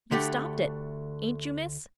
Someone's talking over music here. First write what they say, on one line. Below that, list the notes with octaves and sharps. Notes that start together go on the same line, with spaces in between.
"You've stopped it--ain't you, miss?"
D2 D3 A3 G4